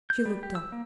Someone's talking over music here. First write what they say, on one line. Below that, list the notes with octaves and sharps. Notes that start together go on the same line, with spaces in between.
She looked up.
G6
G3
G4
E6
A#3